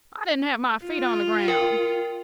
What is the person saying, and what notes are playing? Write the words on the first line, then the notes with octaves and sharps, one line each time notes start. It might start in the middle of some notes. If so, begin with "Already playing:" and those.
I didn't have my feet on the ground.
F4
A#4 G5